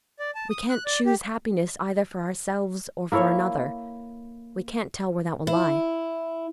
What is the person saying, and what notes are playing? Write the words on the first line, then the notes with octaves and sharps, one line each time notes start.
We can't choose happiness either for ourselves or for another; we can't tell where that will lie.
D5
A5
D#6
F#6
D5
G4
A#3 E4 A4 C#5
E4